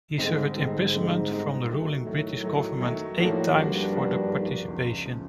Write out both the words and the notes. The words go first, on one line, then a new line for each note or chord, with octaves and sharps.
He suffered imprisonment from the ruling British government eight times for the participation.
G#2 D3 G3 C4 D#4
G#2 D3 G3 C4 D#4
D3 G3 C4 D#4
D3 G3 C4 D#4
D#3 F#3 A3
A2 D#3 F#3 A3
D#3 F#3 A3
D#3 F#3 A3
A2 F3 A#3 D4 F#4
G2 F3 A#3 D4 F#4
F3 A#3 D4 F#4
F3 A#3 D4 F#4
C#2 C#3 F3
C#3 F3